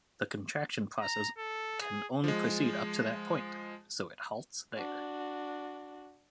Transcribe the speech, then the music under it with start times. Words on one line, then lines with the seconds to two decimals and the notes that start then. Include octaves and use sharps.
The contraction process can only proceed up to that point, so it halts there.
1.01 A#5
1.38 A4
1.81 G#4
2.24 F3 G#3
4.76 D4 F#4